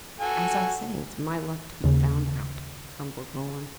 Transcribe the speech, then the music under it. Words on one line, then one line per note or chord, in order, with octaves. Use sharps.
"As I say, it's my luck to be found out!" grumbled Roland.
F#4 A4 G#5
D#2 C#3